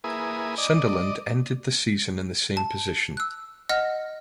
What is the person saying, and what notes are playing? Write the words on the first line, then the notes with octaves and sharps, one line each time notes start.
Sunderland ended the season in the same position.
A#3 E4 G#4 B4 D#6
D5 D#5
A5
E6 F#6
D#5 F#5 F6 A#6